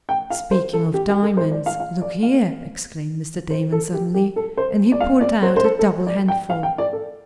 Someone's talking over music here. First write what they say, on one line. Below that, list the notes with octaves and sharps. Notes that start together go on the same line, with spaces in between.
"Speaking of diamonds, look here!" exclaimed Mr. Damon, suddenly, and he pulled out a double handful.
G5
F5
C5
A4
G4
G4
A4
C5
D5
F5
F5
D5
F5
C5
A4
G4
G4
A4
C5
D5
F5
D5
C5
C5
A4
A4
D5
G5
F5
G5
D5
A4